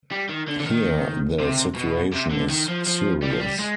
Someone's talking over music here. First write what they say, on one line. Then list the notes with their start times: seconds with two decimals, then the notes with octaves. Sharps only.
Here the situation is serious.
0.11 G3
0.29 D#3
0.48 D3
0.60 D3
0.66 D#3
1.39 C3
1.76 B2
2.13 C3
2.31 D3
2.49 D#3
2.68 F3
2.87 F3
3.22 G3
3.31 F3
3.40 G3
3.59 G#3